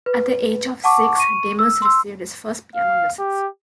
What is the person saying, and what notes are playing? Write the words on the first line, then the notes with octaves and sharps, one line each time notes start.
At the age of six, Demus received his first piano lessons.
B4
F#5 A5 C#6 D6
C#6 D#7
E6
C6 E6
F5
G4